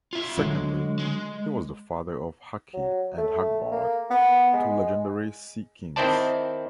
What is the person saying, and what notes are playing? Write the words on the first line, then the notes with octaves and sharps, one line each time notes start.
Secondly, he was the father of Haki and Hagbard, two legendary sea-kings.
F4 E5
D3 F#3 G#3
G#3
F#3
A3
A#3
B3
G#3
D#3 C4 E4 C5 D5 A5